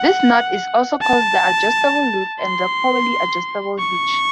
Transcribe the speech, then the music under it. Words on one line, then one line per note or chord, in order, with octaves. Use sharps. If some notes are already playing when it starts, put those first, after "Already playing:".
This knot is also called the adjustable loop and the Cawley adjustable hitch.
Already playing: F#5
A5
C6
C#6